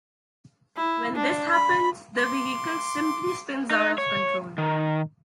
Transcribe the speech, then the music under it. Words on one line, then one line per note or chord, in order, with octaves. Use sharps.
When this happens, the vehicle simply spins out of control.
E4
D4
B5
C6 D6
D#4
C#5
D#3